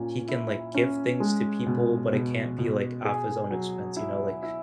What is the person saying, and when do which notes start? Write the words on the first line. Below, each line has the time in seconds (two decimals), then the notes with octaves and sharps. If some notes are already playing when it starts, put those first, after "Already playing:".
he can, like, give things to people but it can't be, like, off his own expense, you know, like,
Already playing: A#2 C#4
0.28 E4
0.75 C#4
1.20 G#3
1.66 B2
2.13 B2
2.58 B2
3.05 G#4
3.50 F#3
3.97 E4
4.43 E4